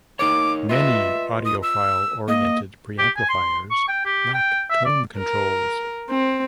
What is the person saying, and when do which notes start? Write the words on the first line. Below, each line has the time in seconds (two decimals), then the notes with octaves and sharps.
Many audiophile-oriented preamplifiers lack tone controls.
0.19 D#4 A#4 C#5 D6
0.69 F4 B4 D#5 E5
1.45 D#6
1.63 E6
2.28 A#3 D#5
2.98 G4
3.17 G#5
3.29 C6
3.71 C#6
3.88 G5
4.05 G4
4.34 G5
4.70 E5
4.85 D5
5.18 A#4
6.10 C4